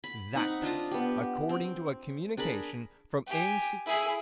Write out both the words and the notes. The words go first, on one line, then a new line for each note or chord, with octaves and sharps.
That, according to a communication from A.C.
B5
C4 D#4 F#5 B5
D4 F4 D#5 F5
B3 G4
C4
D4 G#4 A#4 B5
G4 G#5
E4 G#4